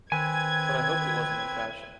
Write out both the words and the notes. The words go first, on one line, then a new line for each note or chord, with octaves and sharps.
But I hoped it wasn’t in fashion.
D#3 C4 B4 G#5 G#6